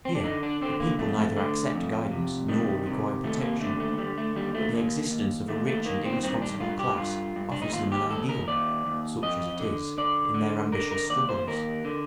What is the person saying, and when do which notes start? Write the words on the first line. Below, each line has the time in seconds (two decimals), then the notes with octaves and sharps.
Here the people neither accept guidance nor require protection; but the existence of a rich and irresponsible class offers them an ideal, such as it is, in their ambitious struggles.
0.05 C4
0.15 D4
0.24 D3 D#4
0.43 D4
0.62 D3 C4
0.80 A#3
0.99 F2 A3
1.36 D3
1.75 F2
2.11 C3
2.48 D#3 G3
2.86 C3
3.24 D#2 A3
3.42 A#3
3.61 D3 A3
3.80 A3
3.98 D3 G3
4.18 A3
4.36 D#2 G3
4.55 A3
4.73 D#2 A#3
5.11 D#2
5.48 D#2 A3
5.67 A3
5.86 D#3 A#3
6.05 C4
6.23 G2 C4
6.42 D4
6.60 G2 F4
6.79 G4
6.98 G2 F4
7.36 G2
7.52 D4
7.62 D#4
7.73 D#2 F4
7.92 G4
8.10 D#2 A4
8.29 A#4
8.47 D#2 D5
8.86 D#2
9.23 F2 D#5
9.60 D3
9.98 D3 D5
10.34 D3
10.72 D3 A#4
10.91 A#4
11.10 D#2 D5
11.29 C5
11.47 D#2 A#4
11.85 D3